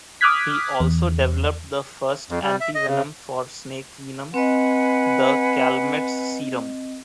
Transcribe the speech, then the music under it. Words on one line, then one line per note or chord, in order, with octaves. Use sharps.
He also developed the first antivenom for snake venom, the Calmette's serum.
D6 D#6 F6 F#6 G#6 B6
E2
F2
G3
E5
D#5
C#3
C4 B4 D#5 F#5 G#5